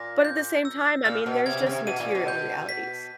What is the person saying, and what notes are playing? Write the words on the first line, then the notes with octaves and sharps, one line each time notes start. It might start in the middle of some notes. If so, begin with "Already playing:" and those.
but at the same time, I mean, there's just material realities,
Already playing: A#2 A#6
G6
E6
A#2 F6
B2
C3 G#6
C#3
C3
B2 D#7
A#2
B2
G6
B6